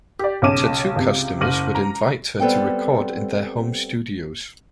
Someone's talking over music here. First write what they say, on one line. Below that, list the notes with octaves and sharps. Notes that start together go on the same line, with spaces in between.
Tattoo customers would invite her to record in their home studios.
G4 D5
B1 C#3 C#4 D6 D#7 E7
C#2 C3
F#1 D6 F6 A#6 D#7 F#7
A#5
G3 B3 C4 A4 G5